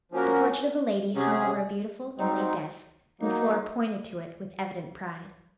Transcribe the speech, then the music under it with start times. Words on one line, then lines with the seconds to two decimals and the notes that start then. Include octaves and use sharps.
The portrait of a lady hung over a beautiful inlaid desk, and Flora pointed to it with evident pride.
0.12 F3 A#3 C#4 F#4 A#4
1.15 C3 F#3 C#4 G#4
2.17 G#2 F#3 C4 D#4
3.21 F#3 A#3 D#4